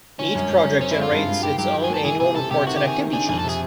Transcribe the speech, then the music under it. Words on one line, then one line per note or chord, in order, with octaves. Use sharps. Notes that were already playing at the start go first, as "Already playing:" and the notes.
Each project generates its own annual reports and activity sheets.
D3 C#4
F#2
F#2
F#2
C4 C#4
E4
G#3 F4
G2
G#3
D#3 G4
F#3 G4
D#3
G#4
A#3 A4
E3 G#4
C3 G#4
C3 A4
C3 G4
D#3 F#4
D#3 G4
G#4
D#3
D4 G#4
F2 G#4
A4
C3 G#4